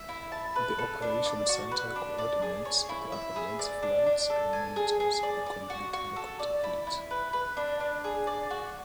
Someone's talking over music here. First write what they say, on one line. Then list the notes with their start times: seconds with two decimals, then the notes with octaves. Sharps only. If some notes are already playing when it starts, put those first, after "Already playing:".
The operation centre coordinates the ambulance flights and monitors the complete helicopter fleet.
Already playing: E5
0.09 E4
0.32 A5
0.56 B4
0.78 A4
1.02 D4
1.26 D5
1.49 F#4
1.71 B4
1.96 D4
2.19 D5
2.42 G#4
2.65 C#5
2.89 E4
3.12 E5
3.36 G#4
3.59 D5
3.83 D4
4.06 D4
4.30 A4
4.53 G#5
4.76 G#4
5.00 G#4
5.23 D5
5.46 D5
5.70 F#4
5.93 F#4
6.16 A4
6.39 D5
6.64 E4
6.87 E4
7.11 B4
7.33 B4
7.57 D4
7.80 D4
8.04 G#4
8.27 D5
8.50 F#4